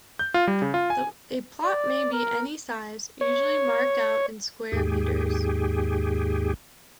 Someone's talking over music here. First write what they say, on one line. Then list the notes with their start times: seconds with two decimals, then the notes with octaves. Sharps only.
A plot may be any size, usually marked out in square meters.
0.19 G6
0.34 F4
0.47 G3
0.62 C#3
0.74 F4
0.90 G#5
1.64 D5
2.12 A#4
3.21 C#5
4.72 D#2 G#2 G4 G#4